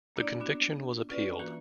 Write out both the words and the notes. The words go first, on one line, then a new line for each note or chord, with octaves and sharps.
The conviction was appealed.
A#3 D4 E4 D5
B3 D4 F#4
C#4 F4 B4 D5
E3 A#3 F#4